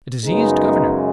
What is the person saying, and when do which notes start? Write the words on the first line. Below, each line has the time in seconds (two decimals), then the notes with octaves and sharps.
A diseased governor?
0.25 F#2 C#3 G#3 B3 D#4